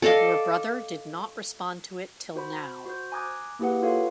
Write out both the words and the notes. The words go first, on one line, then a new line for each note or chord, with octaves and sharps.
Your brother did not respond to it till now.
A4 D5 D#5 F5
F#4 C5 B5
F#4 C5 G6
G#5 A#5 D6 D#6 F#6 G#6
A#3 E4 G4 G#4 B4 F#5
F4 A4 B4 C#5 F5